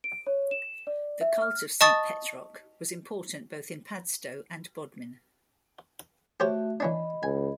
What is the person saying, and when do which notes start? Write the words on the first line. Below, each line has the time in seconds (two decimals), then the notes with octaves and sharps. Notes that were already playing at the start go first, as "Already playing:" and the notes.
The cult of Saint Petroc was important both in Padstow and Bodmin.
0.04 D7
0.26 C#5
0.51 E7
0.87 D5
1.21 E5
1.42 F6
1.81 D#5 A5 C#6 D#6 A6
6.40 A3 F#4 G4 C5 C#5 E5
6.80 E3 C#4 D4 D#5 B5
7.23 C#2 G#5